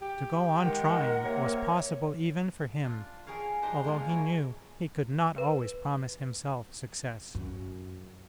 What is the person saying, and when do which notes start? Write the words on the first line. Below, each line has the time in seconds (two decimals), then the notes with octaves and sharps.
To go on trying was possible even for him, although he knew he could not always promise himself success.
0.02 G4
0.64 D#3 G#3 A#4 F#5
1.25 C3 A#3 C#5
2.84 D4 F4
3.27 G4 G#4 A#4 C#5 F5
3.62 D4 D#4 G4 C5 D#5
3.84 G#3 A#3 F4
4.09 E4 A#4 C#5
5.38 B4
7.35 F#2